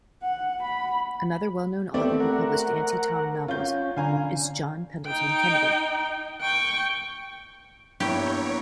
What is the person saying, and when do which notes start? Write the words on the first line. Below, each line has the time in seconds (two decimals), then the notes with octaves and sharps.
Another well-known author who published anti-Tom novels is John Pendleton Kennedy.
0.23 F#5
0.63 B5
1.94 A3 B3 C4 G4 D5
2.20 A#4 F#5
3.48 C#4 F4 G6
3.97 D3 F5 G#5 A#5
5.07 D#4 G5
6.42 G5 C#6
8.00 G2 A#3 B3 E4 G4 C#5 D7